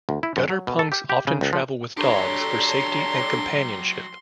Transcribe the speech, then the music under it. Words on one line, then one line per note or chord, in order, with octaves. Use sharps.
Gutter punks often travel with dogs for safety and companionship.
D2
E4
F#2
F#3
B2
A4
G4
G4
C#3
C#2
F3
F#3 D4 G4 A4 C#5 A#5 C6